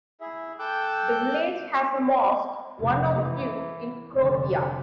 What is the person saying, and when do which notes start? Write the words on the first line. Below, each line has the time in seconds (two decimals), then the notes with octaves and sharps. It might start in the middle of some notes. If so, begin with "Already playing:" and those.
The village has a mosque, one of few in Croatia.
0.21 E4 G#4 E5
0.59 A4 G5 D6 E6 F#6 G6
2.80 F1
3.20 E3
4.15 F1 D3